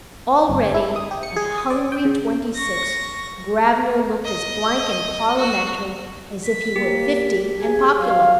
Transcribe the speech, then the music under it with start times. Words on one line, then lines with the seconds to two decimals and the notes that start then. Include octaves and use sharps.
Already, at hungry twenty-six, Gravener looked as blank and parliamentary as if he were fifty and popular.
0.49 G1
0.62 G#5
0.74 E4
0.96 D#6
1.11 G4
1.23 C#7
1.36 G#4
1.58 D#6
1.70 D5
1.92 G5
2.05 C#3
2.56 C#6 A#6
4.24 D#5
5.37 F#4
6.43 B6
6.76 A#3 G4
7.59 G#4 G#5
7.99 F#3 F5